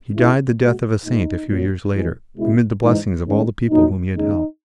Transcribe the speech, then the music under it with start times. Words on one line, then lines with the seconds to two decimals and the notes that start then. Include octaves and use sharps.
He died the death of a saint a few years later, amid the blessings of all the people whom he had helped.
0.15 C#2 C#3 G#3 E4
0.59 A#2 G#3 F#4
1.04 A#2 G#3 D#4
1.48 A#2 F#3
1.93 G#2 E3 G#3
2.37 C#2 B2 G#3 E4
2.82 G#2 E3 G#3 D#4
3.26 G#2 D#3 G#3 C#4
3.71 A#2 F#3 D#4
4.16 D#2 C#3 G#3 D#4